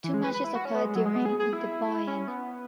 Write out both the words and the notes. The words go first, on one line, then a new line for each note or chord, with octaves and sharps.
Two matches occurred during the Buy In.
E3
G#3
B4
B4
E4
F#4
C#4
B3
G#3
F#3
G#3
B3
G#4
G#4
E4
C#4
B3